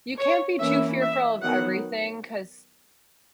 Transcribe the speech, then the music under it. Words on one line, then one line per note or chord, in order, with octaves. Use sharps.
you can't be too fearful of everything 'cause,
C#5
E3 A#3 C#4 E4 E5
E5
D#3 F#3 B3 F#5